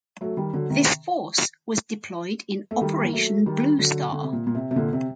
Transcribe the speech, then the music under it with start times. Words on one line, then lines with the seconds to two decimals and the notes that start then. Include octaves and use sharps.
This force was deployed in Operation Blue Star.
0.21 F#3 A3
0.37 D#3 G3
0.53 D3 F#3
0.70 C3 D#3
2.71 A3
2.81 D#3 G3
3.04 A#3
3.13 F#3 A3
3.46 D#3 G3
3.79 D3 F#3
4.13 D3
4.23 C3
4.33 A#2
4.47 A#2
4.55 C3
4.71 C3
4.76 A#2 D3
4.93 C3